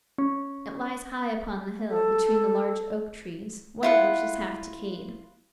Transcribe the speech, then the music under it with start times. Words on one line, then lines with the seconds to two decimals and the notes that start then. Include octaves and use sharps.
It lies high upon the hill, between the large oak-trees, one of which is half decayed.
0.18 C#4
1.87 A4
3.83 E4 F4 F#5